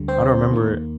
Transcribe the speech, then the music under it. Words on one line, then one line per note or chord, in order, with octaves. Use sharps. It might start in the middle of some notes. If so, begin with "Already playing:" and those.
I don't 'member it.
Already playing: D2 D3 G3
C4 C5
D#2 D#3 A#3